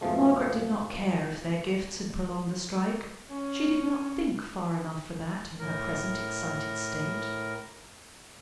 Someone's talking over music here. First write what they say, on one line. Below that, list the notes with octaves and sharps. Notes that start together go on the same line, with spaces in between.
Margaret did not care if their gifts had prolonged the strike; she did not think far enough for that, in her present excited state.
F2 G#2 B2 F3 G#3 A3
C#4
A2 A#4